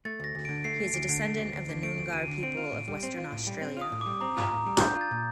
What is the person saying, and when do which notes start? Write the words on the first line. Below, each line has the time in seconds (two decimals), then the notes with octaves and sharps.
He is a descendant of the Noongar people of Western Australia.
0.05 A3 A6
0.20 D2 A#6
0.35 D2
0.45 D3 D7
0.64 A3 C7
0.79 D2
0.94 D2 D7
1.09 D3
1.24 A3
1.38 D2
1.54 D2
1.69 D3
1.83 A3 D7
1.98 D2
2.12 D2 D#7
2.28 D3
2.43 C4 D7
2.57 F4
2.72 A2
2.88 G3
3.03 C4
3.17 F4
3.32 A2
3.47 G3
3.61 C4
3.77 F4 D#6
3.92 A2
4.01 G3 D6
4.21 C4 A#5
4.37 F4 A#5
4.51 A2
4.66 G3
4.81 D4 G6
4.95 F4
5.01 A6
5.11 A#2